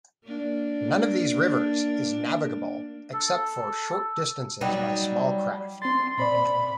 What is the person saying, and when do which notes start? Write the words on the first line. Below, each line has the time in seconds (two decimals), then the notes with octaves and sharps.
None of these rivers is navigable except for short distances by small craft.
0.24 A#3 D4
3.13 A4
4.61 F#3 G3 D#4
5.82 C4 C6 A6
6.18 A#2 C5 D5 B5